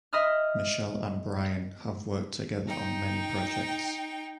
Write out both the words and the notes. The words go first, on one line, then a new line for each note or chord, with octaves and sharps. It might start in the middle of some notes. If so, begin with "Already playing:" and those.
Michelle and Brian have worked together on many projects.
D#5 E5 B5 D#6 F6
D#4 G5